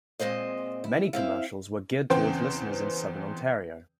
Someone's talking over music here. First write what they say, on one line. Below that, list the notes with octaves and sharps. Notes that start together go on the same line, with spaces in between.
Many commercials were geared towards listeners in Southern Ontario.
A#2 G#3 C4 C5 D#5
E4
C4 E4 F5
E2 C#3 B3 C4 C5 G5